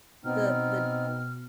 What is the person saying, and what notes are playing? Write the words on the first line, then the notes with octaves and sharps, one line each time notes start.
the the
B2 B3 C4 D#4 F6